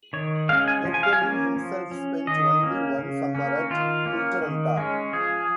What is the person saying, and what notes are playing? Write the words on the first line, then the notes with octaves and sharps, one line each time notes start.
Kordelin himself spent only one summer at Kultaranta.
D#3 C#5
G#3 C#4 F5
G#5
F3
G#5
F5
G#5
A#3 C#4
F3
C#4
D#3 D#5
A#3 C#4
C#3
A#3 C#4
D#3 F4
A#3 C#4
D#3
G#3 C#4
F3 G#4